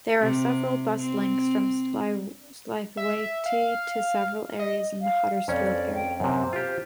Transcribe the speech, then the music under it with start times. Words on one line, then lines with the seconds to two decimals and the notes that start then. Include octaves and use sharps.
There are several bus links from Slaithwaite to several areas in the Huddersfield area.
0.21 C3
0.99 C4
2.97 E5
3.46 F5
4.59 D#5
5.01 F5
5.48 F2 C#4 C5 D5
5.95 G5
6.20 F#2 C3 C5
6.53 F4 G4